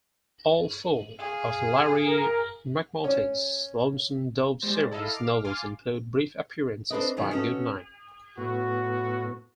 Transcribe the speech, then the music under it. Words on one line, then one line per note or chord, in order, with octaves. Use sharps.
All four of Larry McMurtry's Lonesome Dove series novels include brief appearances by Goodnight.
G#4 F5
A#4
C#4
G3 G#3 C5 A6 A#6
E4 A4 D#5 F5 A#5
D6 F6 C7
F5 G#5 C6 D6 F6 A6
C4 D4 A4 B4 D5 D#5
C3 D#3 F#3 D#4 G#4
B3 C#4 F#4 A4 C#5 D#5
A2 B3 F#4